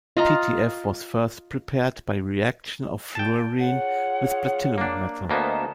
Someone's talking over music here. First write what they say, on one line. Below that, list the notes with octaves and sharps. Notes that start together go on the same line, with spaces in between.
PtF was first prepared by reaction of fluorine with platinum metal.
F4 D#5 A#5
A#2 G5 A5
F4 G#4 C#5 F#5
A#3 D4
D2 A#3 B3 A#4 C5 D#5 A5